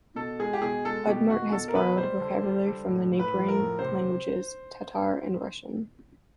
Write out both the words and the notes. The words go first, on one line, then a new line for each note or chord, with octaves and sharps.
Udmurt has borrowed vocabulary from the neighboring languages Tatar and Russian.
B2 A4
G#3 G#4
G4
B2 G#4
G#3 A4
B2 G4
B2 F#4
B2 A4
A#4
B2 B4
G3 C5
D3
G3
D3
A2
A2
B4
F3
A#4
A2
C3 C5